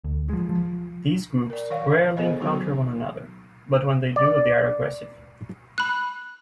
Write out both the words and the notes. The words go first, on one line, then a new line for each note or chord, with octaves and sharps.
These groups rarely encounter one another, but when they do, they are aggressive.
D2
F3 G#3
F3
A#4 D5
D#3 C#5 F5 F#5
B3 G#4 A4 C5 D#5
D#3 F#3 B3 D#4 F#4 A4
D5
B5 F#6